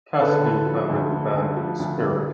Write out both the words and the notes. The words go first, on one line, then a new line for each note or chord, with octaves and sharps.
Cassidy founded the band Spirit.
D3 A4 B4
D2
F3
D2
D3
D2
F3
D2
D3